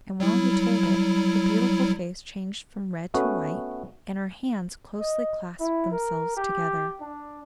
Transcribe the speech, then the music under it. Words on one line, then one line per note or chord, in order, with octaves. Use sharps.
And while he told it, her beautiful face changed from red to white, and her hands closely clasped themselves together.
F#3 G3 E4
A3 B3 C#4 F#4
D#5
E4
A#4
G4
D4